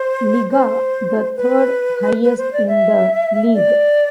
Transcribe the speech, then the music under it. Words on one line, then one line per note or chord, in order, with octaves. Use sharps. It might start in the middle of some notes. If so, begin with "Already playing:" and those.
Liga, the third-highest in the league.
Already playing: C5
C5
B4
B4
C5
D5
E5
D5